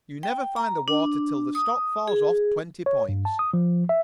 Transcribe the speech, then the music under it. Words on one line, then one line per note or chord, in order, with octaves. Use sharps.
"You never find the water till the stock falls off twenty points."
G5
A#5
D4
D#6
G#4
C#5
G2
A5
D#6
F3
E5